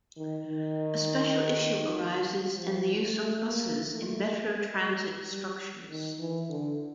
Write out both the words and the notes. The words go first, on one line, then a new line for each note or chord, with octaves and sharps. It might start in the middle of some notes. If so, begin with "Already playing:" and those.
A special issue arises in the use of buses in metro transit structures.
D#3
D#3
F3
A3
A#3
A3
G#3
G3
D#3
E3
D3